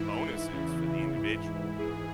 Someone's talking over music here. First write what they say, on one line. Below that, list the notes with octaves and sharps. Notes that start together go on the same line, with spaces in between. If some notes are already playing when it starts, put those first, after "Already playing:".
bonuses for the individual
Already playing: G#2 E3 E4
E2 C#3 E3
G#2 E3 E4
G#2 E3 G#4